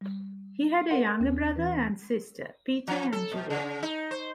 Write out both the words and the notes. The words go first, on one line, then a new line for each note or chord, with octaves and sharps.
He had a younger brother and sister, Peter and Julia.
G3
A4 A#4 D5 F5 F#5 C6
D#2 C#4
E3 B4
F3
A4
B2
C#3
D#4
C5